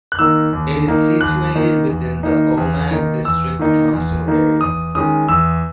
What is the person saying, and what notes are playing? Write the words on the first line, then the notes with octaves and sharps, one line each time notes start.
It is situated within the Omagh District Council area.
F#6
D#3 A#3 D#4 E6
D#2
D#3 A#3 D#4
D#2 F#6
D#3 A#3 D#4
E2
D#3 A#3 D#4
E2
D#3 A#3 D#4
E2 E6
D#3 A#3 D#4
E2
D#3 A#3 D#4
E2 D#6
D#3 G#3 C#4 D#6
E2 E6